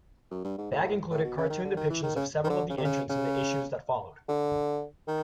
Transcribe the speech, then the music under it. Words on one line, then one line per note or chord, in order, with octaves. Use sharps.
Bagge included cartoon depictions of several of the entrants in the issues that followed.
F#2
G2
G#2
A2
A2
B2
C#3
D#3
D3
D#3
E3
D#3
C#3
D#3
D3
C#3
C3
C#3
C#3
D3
D#3